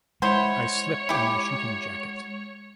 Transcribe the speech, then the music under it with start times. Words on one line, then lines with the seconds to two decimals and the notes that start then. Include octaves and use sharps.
I slipped on my shooting jacket.
0.22 G#3 E4 C5 C#5 F#5
1.09 E4 G4